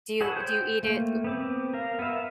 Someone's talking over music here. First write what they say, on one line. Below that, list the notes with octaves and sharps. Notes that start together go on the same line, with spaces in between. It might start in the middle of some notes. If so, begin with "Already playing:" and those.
Do you do you eat it l
G#4 A4 B4 C#5 F#5
C5 G5
A3 A#3
B3 C4 D6
A#4 F5
B3 A#4 B4 E5 F5